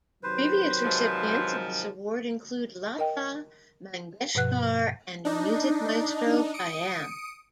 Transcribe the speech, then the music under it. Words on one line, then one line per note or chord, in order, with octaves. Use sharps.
Previous recipients of this award include Lata Mangeshkar and Music Maestro Khayam.
C3 D#3 F#3 B4 C5
G#2 F3
A#4 D#5 G5
G2 B2 F3 B4 F#5 F#6
D4 D#4
D#6 C#7 D7